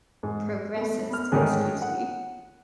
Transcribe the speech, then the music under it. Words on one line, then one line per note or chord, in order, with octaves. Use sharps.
progresses, excuse me.
G#2
A3 B3
B3 F6
G#2 D#3 A3 C#4 G#4 F6
F#5